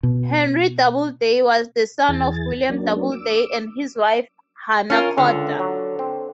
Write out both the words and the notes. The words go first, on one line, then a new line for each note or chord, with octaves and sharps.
Henry Doubleday was the son of William Doubleday and his wife Hannah Corder.
B2
E2 E3 G#4 A6
F#3 A#3 C#4 D4
D6 E6
C#4 F4 A#4
C#2 D3 F4
F#3
C4